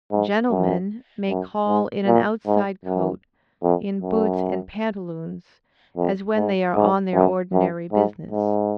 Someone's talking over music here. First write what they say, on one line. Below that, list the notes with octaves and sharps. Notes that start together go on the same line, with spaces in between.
Gentlemen may call in an outside coat, in boots and pantaloons, as when they are on their ordinary business.
G#2
F#2
F#2
G#2
A#2
G#2
F#2
F2
F#2
F2
G#2
G#2
F#2
F#2
G#2
G#2